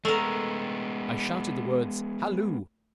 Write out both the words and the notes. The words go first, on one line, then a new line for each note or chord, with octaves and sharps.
I shouted the words 'Halloo!
G#3 A3 B3 A#4